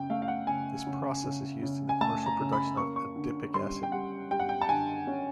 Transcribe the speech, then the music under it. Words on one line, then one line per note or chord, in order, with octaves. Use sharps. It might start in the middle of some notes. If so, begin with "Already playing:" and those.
This process is used in the commercial production of adipic acid.
Already playing: C#3 G5
A3 F5
F5
F#5
C#3 G#5
C#3
C#3
C#3
G#5
A3 A5
A#5
C#3
B5
A#3 C#6
C#6
D3
G3 C6
G5
G3 F#5
G3 G5
F#5
G5
A5
D3 G#5
C#4